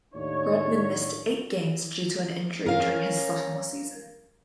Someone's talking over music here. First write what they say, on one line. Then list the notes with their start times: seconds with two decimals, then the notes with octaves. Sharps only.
Rodman missed eight games due to an injury during his sophomore season.
0.14 D#2 A2 D4 E4 C#5
2.66 C#4 A#4 F5